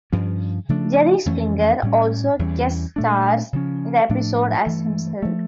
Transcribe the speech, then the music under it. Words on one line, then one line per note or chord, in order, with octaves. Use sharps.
Jerry Springer also guest stars in the episode as himself.
G2 F3 C#4
C#3 F3 A3 D4
F2 E3 A3 C#4
A2 G3 C#4
E2 E3 G3 C#4
A#2 A3 D4
C#3 F3 C#4
A2 F3 A3 D4
G2 E3 A3
F3 A3